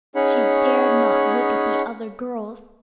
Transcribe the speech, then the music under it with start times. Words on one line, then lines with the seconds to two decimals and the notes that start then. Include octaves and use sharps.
She dared not look at the other girls.
0.15 C#4 D#4 G#4 C#5 F#5 B5